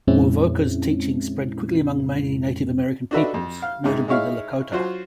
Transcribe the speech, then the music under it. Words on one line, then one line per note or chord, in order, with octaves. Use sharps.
Wovoka's teachings spread quickly among many Native American peoples, notably the Lakota.
F2 A#2 G#3 C4 C#4 E4
D4 D#4 F#4 A4 B4 E5
F2
F5
G#2 C3
G#3 D#4 E4 C#5 F5
F#3 F4 F#4 C5